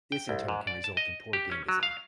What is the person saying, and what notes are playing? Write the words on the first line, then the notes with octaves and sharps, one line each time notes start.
This in turn can result in poor game design.
G5
C2
G#2
D5
A5
D#5
G4
C#4
F#3
F5